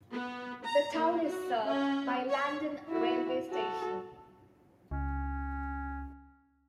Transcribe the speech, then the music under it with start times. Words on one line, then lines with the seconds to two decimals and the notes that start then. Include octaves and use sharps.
The town is served by Landen railway station.
0.12 B3
0.64 A#5
0.93 A#3
1.25 F#4
1.66 C#4
2.29 C#5
2.89 E4 F#4
3.50 F#4 A4
4.91 C#2 C#4